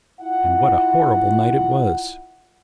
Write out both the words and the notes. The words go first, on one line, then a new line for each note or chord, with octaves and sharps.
And what a horrible night it was!
E4 F4 F#5